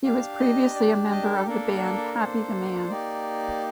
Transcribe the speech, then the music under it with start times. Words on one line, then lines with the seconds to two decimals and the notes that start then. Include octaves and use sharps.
He was previously a member of the band Happy the Man.
0.04 D4 G4 F5
0.39 D#5
0.75 D5
1.11 D#5
1.23 A#4
1.34 A4
1.46 A#3 D4 A4 A#4
2.17 C5
2.88 A#3 D#4 G4 D5